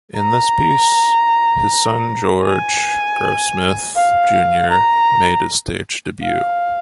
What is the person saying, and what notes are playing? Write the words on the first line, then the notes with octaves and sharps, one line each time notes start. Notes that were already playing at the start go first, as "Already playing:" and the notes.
In this piece, his son George Grossmith Junior made his stage debut.
A#5
G#5
F5
A#5
F5